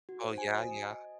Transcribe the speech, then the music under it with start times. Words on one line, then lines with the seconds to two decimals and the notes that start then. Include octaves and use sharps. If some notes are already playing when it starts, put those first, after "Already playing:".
Oh, yeah, yeah.
0.09 F#4
0.23 C5
0.38 G#5
0.54 D#5